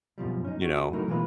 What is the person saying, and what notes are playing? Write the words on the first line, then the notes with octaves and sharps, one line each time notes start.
you know,
F#2 B2 F3 G3
C#4 D#4
F#4
F#3 A3 D#4 E4 F#4 A#4
B2 E3 G#3 A#3 F4 B4